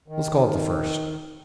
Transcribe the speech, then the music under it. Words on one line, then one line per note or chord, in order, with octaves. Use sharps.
Let's call it the first.
D#3